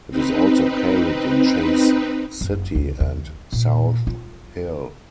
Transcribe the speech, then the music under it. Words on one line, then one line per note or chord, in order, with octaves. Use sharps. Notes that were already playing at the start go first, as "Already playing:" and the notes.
It is also carried in Chase City and South Hill.
C4 D#4 B4
F#1
D2
D#2
A#2
F4